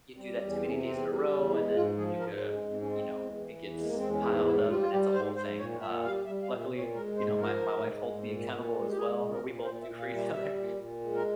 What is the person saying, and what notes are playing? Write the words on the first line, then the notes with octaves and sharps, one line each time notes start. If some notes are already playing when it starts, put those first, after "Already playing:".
you do that too many days in a row, and then you give you know, it gets piled up, and it's a whole thing, uh, luckily, you know, my my wife holds me accountable, as well or, we both do for each other,
G3 C4
C4
E2
C#4
C3 C4
C#4
E2 C4
G3
E2
G#3 E4
G#2 F4
F3 G#4
G#2 A#4
C5
G#3
C#4
G#2
C4
C#4
G#3 C4
E2
E3
E2
G#3 A#3
C4
E2
C#4
G#2 E4
G#2 E4
G3 F4
F4
G3 G4
G#2 C5
G#2 C5
A#2 C#5
A#2 E5
G3 F5
G3 E5
F5
A#2
E5
A#2
C#5
G#3 A#4
G#2 C5
F3 A#4
G#2
G#3
G#2
A#2
A#2
G#3
G4
G#3 G#4
A#2
A#4
A#2
A#4
A#2 C5
E5
A#2
F5
G3
E5
G3 E5
A#2
A#2
G#3
A#4